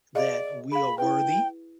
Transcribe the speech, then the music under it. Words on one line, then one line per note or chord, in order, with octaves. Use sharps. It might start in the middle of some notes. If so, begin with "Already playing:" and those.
That we are worthy.
G#4 D5 D#5 F5
G#4 F5 B5
E4 B4 G5